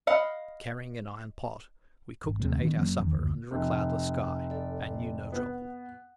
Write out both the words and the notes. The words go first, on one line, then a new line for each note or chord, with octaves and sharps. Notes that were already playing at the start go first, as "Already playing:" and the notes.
Carrying an iron pot, we cooked and ate our supper under a cloudless sky, and knew no trouble.
D#5 F5 F#5 B5
G#1
D#2 C3 A3
D#3 E3 B3 D4
F#1 F#3 A#3 C#4
E2 D#3
F#1 D2
F1
A4 D5
B3 F#5